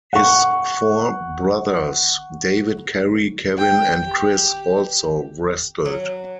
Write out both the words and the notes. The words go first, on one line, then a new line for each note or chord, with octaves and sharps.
His four brothers, David, Kerry, Kevin and Chris, also wrestled.
F#5 C#6
G5
G4
F#3